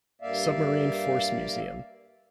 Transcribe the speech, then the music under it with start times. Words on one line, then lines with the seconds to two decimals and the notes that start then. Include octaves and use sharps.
Submarine Force Museum.
0.21 G2 A#3 D5 E5 F5